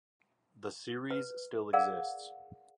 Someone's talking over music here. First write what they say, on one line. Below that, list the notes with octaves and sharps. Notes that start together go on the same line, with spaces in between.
The series still exists.
B4
G#4 A#4 D5 F5 F#5